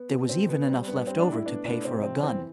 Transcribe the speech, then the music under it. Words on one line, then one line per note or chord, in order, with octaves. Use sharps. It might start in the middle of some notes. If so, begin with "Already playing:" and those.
There was even enough left over to pay for a gun.
Already playing: B3
B2
D3 C4
B3
G3 C4
G2 B3
G3 C4
D4
A2
E4
B3 D4
A2 D4
C3 C4
F2 C4
E3 C4